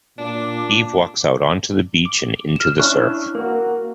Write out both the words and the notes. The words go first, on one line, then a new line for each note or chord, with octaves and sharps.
Eve walks out onto the beach and into the surf.
A#2 D4 D6
D6
F6 E7
C#4 D4 E4 C#6 F6 F#6
A#3 F#4 A#4